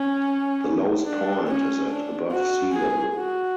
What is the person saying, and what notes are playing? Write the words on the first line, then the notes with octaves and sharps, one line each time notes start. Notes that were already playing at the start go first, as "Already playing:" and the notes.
The lowest point is at above sea level.
Already playing: C#4
D4
C#4
D4
F#4
G#4
F#4